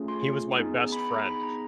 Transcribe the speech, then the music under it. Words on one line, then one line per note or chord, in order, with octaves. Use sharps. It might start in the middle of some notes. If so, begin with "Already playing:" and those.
He was my best friend.
Already playing: A3 C#4 F4 G#4
C6
B3 D#4 G#4
B5
A#5
B5
A#5